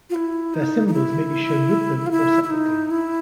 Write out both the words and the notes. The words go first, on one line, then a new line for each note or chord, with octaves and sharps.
Their symbols may be shown with them, or separately.
F4
E4
D#4
D#4
E4
F4
E4
E4
D#4
E4